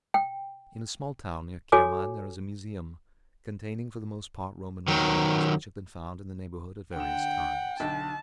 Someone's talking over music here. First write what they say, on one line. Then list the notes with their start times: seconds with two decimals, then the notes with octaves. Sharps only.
In a small town near Caermaen there is a museum, containing for the most part Roman remains which have been found in the neighbourhood at various times.
0.14 G5
1.72 F#4 A4 C#5 G#5 D6
4.88 D#3 F#3
6.96 D3 F#5 G5 E7
7.80 B1 D3 A5